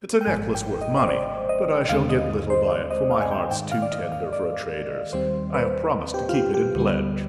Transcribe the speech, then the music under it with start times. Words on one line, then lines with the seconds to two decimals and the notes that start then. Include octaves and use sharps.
"It's a necklace worth money, but I shall get little by it, for my heart's too tender for a trader's; I have promised to keep it in pledge."
0.21 G5
0.27 G#1 G#2 F3 G#3 G#5
0.55 G5
0.81 D#5
0.97 C5
1.08 D5
1.49 D#5
1.89 D#2 D3 G#3 C4 F5
2.10 D#5
2.50 C5
2.70 D5
2.91 D#5
3.11 F5
3.21 G#5
3.31 G5
3.51 G#2 D#3 G#3 G5
3.72 F5
3.82 D5
3.92 D#5
4.12 F5
4.33 D5
5.13 D#2 D#3 G3 C4 C5
5.54 B4
6.14 G4
6.29 F4
6.34 G4
6.54 G4
6.75 D2 D3 G3 B3